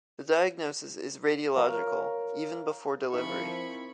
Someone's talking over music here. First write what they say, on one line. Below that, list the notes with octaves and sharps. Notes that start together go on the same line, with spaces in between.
The diagnosis is radiological, even before delivery.
A#4 C#5 F5
F3 C4 D#4 E4 A#4 E5 B5 C#6